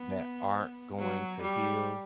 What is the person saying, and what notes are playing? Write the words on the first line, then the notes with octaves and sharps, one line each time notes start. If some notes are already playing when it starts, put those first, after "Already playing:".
that aren't going to heal
Already playing: B3
F#3
G3